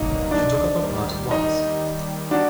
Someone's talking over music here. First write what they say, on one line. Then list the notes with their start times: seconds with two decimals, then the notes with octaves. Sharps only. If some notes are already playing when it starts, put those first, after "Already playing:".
She took up her part at once.
Already playing: G2 F#3 A#3 D#4
0.31 D4
0.81 D#2 D#3 G3
1.31 D#4
2.31 D4 F#4